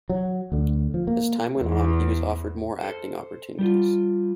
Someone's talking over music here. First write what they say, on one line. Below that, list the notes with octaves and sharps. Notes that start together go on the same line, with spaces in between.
As time went on, he was offered more acting opportunities.
F#3
D2 D3
F3
A#3
E2
A4 C5
G3 F4